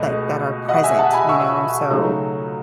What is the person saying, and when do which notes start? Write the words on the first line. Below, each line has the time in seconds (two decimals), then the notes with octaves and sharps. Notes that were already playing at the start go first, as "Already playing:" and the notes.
like, that are present, you know, and so,
Already playing: C#2 B2 A3 D#5
0.68 D#5 F#5
0.84 E5 G#5
0.99 F#5 A5
1.13 G#5 B5
1.29 C#6 E6
1.90 C#3 F#3 A3 D#4